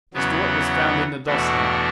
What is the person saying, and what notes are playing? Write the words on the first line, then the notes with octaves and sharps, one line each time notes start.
'As to what was found in the dust now.
E2 C#3 F#3 B3 F#4
E2 B2 A3 D4 F#4